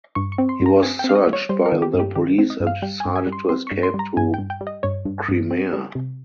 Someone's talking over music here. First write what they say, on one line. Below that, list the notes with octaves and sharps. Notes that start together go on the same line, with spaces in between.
He was searched by the police and decided to escape to Crimea.
G2 C#6
C#6
C4
C6
G2
A#5
C4 G#5
G5
C4
F5
D#5
G3
C#5
G3 C5
A#4
D#3
G4
G2
G4
D#3 G4
C4
D#5
G2
F5
G3 G5
G#5
G2
G#5
G3
C6
C4 C6
C#6
G2
C6
G3
A#5
G2 G#5
G5
G2
G5
G3
D#5
G2 C#5
G2
G2
C4
G3
C3